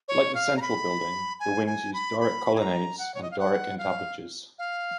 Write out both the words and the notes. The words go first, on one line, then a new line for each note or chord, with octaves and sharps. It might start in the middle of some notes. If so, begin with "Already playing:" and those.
Like the central building, the wings use Doric colonnades and Doric entablatures.
C#5
F5
A#5
B5
G#5
G#5
B5
B5
G#5
A#5
F#5
C#5
D#5
F5
F#5
F5
F5